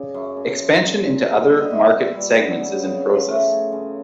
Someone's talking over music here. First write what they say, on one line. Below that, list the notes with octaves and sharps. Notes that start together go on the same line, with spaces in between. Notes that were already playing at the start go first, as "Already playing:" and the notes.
Expansion into other market segments is in process.
Already playing: C#3 D5
F#2
C#3
F3
A#2
A#2
G3
B3
D#5
A#2 E5
A#2
G3
B3
C#3
C#3
F3
A3
C#3
C#3